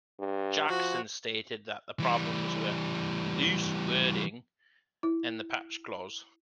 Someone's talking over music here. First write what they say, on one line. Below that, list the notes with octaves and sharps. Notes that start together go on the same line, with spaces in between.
Jackson stated that the problems were "loose wording" and the patch clause.
G2
F3 F#4
E3 G3
E4